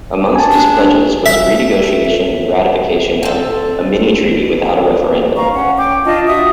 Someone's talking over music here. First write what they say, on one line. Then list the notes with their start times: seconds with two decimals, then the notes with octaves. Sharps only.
Amongst his pledges was a re-negotiation and ratification of a mini-treaty without a referendum.
0.36 G#5 A5
0.51 D4
1.26 E5
3.23 C4 A4
5.36 F5 A#5 C#6
5.54 C#4 F#5
5.78 G5 D6
6.05 D4 F4 D#5 A5
6.27 F#4 E5 D#6